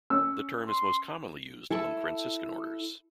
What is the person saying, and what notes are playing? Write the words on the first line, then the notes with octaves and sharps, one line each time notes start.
The term is most commonly used among Franciscan Orders.
C#4 E6
C6
E4 A4 A5